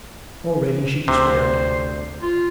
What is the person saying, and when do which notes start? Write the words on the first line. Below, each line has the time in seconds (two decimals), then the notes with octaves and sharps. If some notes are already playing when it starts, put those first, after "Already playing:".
Already she despaired.
1.08 D2 C3 C5
2.22 F4